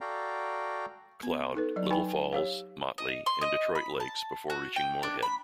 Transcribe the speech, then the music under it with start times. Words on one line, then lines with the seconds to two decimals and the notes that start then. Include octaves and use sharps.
Cloud, Little Falls, Motley, and Detroit Lakes before reaching Moorhead.
0.01 F#4 A4 D5 F5 G5 A#5
1.23 B3
1.55 D#4 A4 B4
1.76 F#3 D5
1.90 D#4 B4 G5 G#5 B5
2.33 G4 C#5 F5
2.98 D#5
3.26 C6
3.41 D#5
3.75 B5
4.00 A5
4.50 F#4
4.76 G5
5.03 D4
5.23 B5